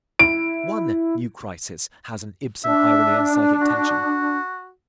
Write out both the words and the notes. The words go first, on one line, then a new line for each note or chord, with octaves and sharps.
One new crisis has an Ibsen irony and psychic tension.
E4 D7
D4 E5
F#4